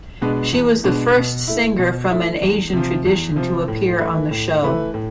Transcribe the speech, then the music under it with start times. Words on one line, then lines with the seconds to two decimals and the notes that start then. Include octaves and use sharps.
She was the first singer from an Asian tradition to appear on the show.
0.21 B2 G#3 B3 D4
0.53 E2
0.84 B2 G#3 B3 D4
1.16 B2
1.48 A3 E4
1.79 B2
2.10 A3 E4
2.42 E2
2.73 C3 F3
3.05 E2
3.36 C3 F3
3.68 A2
3.99 E3 A3 E4 B4
4.31 A2
4.63 E3 A3 E4 B4
4.94 A2